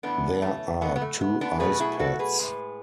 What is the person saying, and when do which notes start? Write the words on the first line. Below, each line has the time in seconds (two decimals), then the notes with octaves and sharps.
There are two ice pads.
0.03 A2 E3 A3 B3 D4
0.42 A3 C#4
0.81 A2 F#3 A3 B3
0.96 B3
1.02 A3
1.21 B3
1.41 B3 D4
1.60 B2 F#3 A3 G#4 B4
1.80 E4 G#4
1.99 F#4 A4
2.19 G#4 B4
2.39 A2 E3 G#3